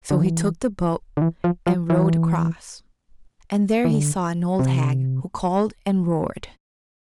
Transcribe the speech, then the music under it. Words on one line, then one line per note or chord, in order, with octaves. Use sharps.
So he took the boat and rowed across, and there he saw an old hag, who called and roared.
D3
E3
D3
E3
F3
F3
E3
E3
D3
C3